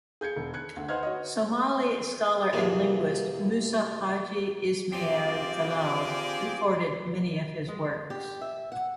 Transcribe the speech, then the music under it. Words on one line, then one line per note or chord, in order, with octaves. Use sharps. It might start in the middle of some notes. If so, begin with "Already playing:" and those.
Somali scholar and linguist Musa Haji Ismail Galal recorded many of his works.
G#4 G6 G#6 C#7
E1
F#6 G#6 C#7
D2
B4 C5 D#5 F#5 F6 G#6
F#4 C#5 D#5
F#2 C3 E3 A#3 G#4
C4 F4 G4 G#4 D5
G#3
G4
E5
F#5